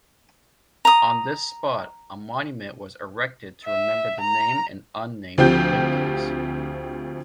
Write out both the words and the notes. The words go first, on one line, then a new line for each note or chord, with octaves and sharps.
On this spot a monument was erected to remember the named and unnamed victims.
A#5 D#6
E5
A#5
D2 F3 C4 G4 G6